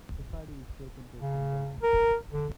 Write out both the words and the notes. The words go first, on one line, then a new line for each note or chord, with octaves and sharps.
Society is shaken to its foundations.
C#3
A#4
D3